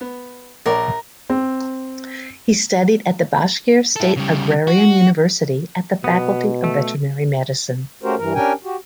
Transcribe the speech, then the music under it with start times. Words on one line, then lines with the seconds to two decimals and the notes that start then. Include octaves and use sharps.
He studied at the Bashkir State Agrarian University at the Faculty of Veterinary Medicine.
0.01 B3
0.66 A#1 A#4 C#5 D5
1.30 C4
3.96 E4 A4
4.17 C#3 G3
4.67 F#4
6.04 B2 B3
6.64 A3
8.03 A3 C#4 F#4 G4 A#4 C5
8.18 G2 E3 A#4
8.35 C#4 D4 G4 A#4 G5 G#5
8.64 F#4 G4